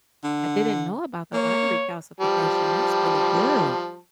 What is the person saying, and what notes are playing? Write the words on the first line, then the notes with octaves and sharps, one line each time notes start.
I didn't know about the artery calcification, that's really good.
D3
A#3 C#5
F3 G3 A5